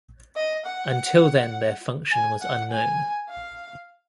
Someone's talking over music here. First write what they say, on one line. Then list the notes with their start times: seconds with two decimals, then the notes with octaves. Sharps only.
Until then their function was unknown.
0.36 D#5
0.65 F#5
2.12 G#5
2.42 F#5
2.71 G#5
3.29 F5